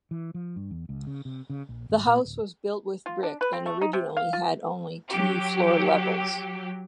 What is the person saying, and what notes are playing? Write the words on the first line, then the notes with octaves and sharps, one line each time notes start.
The house was built with brick and originally had only two floor levels.
E3
F3
G2
E2
C#2
C#3
C3
C#3
A#1
G#1
A#2
D1
F4
D4
B4
C4
A3
D#4
C3
F5
F4
F#3 G4